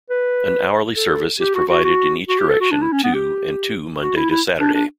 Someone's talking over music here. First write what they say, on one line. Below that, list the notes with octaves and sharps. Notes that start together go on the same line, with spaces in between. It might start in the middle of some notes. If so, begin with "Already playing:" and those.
An hourly service is provided in each direction to and to Monday to Saturday.
B4
A4
G4
F#4
F#4
F#4
F#4
G4
A4
F#4
D4
E4
C#4
B3
G4
F#4
E4
E4
D4
D4